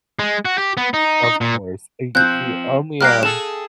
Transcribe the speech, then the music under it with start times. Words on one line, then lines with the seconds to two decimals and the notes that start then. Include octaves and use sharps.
Of course, and you the only, um,
0.19 G#3
0.45 F#4
0.58 G4
0.77 B3
0.94 D#4
1.24 D#4
1.41 A#2
2.15 F3 C4 F#6 G6
3.01 G3 A#3 G4 F6 F#6 C7
3.23 G#4 A4 E7